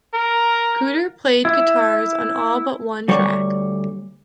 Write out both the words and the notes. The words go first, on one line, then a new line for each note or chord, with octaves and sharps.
Cooder played guitars on all but one track.
A#4
E4
D2 G3 C#5